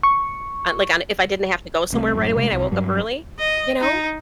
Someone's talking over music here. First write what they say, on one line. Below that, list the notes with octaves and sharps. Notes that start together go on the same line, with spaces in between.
uh, like, if I didn't have to go somewhere right away, and I woke up early, you know,
C#6
C2 C3 A3
F#2 A2
C3 G#3 A3
C2
G2 F#3
D#5
D#4